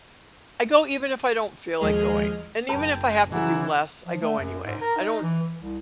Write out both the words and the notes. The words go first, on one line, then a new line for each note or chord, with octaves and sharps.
I go even if I don't feel like going, and even if I have to do less, I go anyway, I don't
D#2 F3 G#3 G#4 D#5 F6
F#1 B4 G5 A5 B5
C#3 E3 F#3
F3
A3
F#2
G#2
A#4
D#4
E3
E3
C2